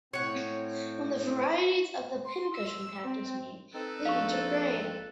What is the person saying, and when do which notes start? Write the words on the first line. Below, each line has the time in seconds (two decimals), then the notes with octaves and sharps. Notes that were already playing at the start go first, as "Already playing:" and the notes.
Where the varieties of the pincushion cactus meet, they intergrade.
0.13 A2 C4 C#5 F#5
2.25 C6
2.55 E6
3.04 C4
3.74 C4 D#4 A4 B4
4.05 A#1 F5 C#6